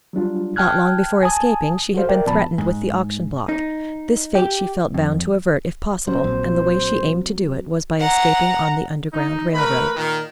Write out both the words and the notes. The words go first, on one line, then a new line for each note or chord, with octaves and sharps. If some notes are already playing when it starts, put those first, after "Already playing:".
Not long before escaping, she had been threatened with the auction-block; this fate she felt bound to avert, if possible, and the way she aimed to do it was by escaping on the Underground Rail Road.
F#3 G3 D4 F4
G5 A5 F6 F#6 G#6
G#5 A5 D#6
F#4 A4 C5 F5
A#4 D5 E5 G5
A#2 F3 B3 A5 B5
G#2
D#4
G4
F2
F#3 C#4 C5
A#1 F#3 C4
F#5 A#5
D#4
E3 A3 A#4 B4 B5
A#2 D#3